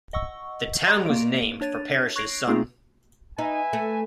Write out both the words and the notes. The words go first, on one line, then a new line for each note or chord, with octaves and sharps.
The town was named for Parish's son.
D#5 F#5 C#6 E6
D5 D#5 A#5 C6 C#6
A#3 D7
D4 C#5 A6 D#7
C#6 F#6 G#6 A#6 C7 D7
A3 A#3 C4 D#4 F4 G#4
D#4 B4 E5 G#5
A3